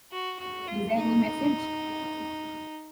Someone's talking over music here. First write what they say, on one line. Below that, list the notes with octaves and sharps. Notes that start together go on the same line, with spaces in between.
Is there any message?
F#4
F#4
F4
D#4